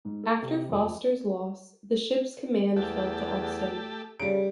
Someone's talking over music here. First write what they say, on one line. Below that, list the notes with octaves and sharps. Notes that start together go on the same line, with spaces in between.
After Foster's loss, the ship's command fell to Austin.
G#2
A4
C3
F2
E2 A3 G4 A4
C#3 G3 D7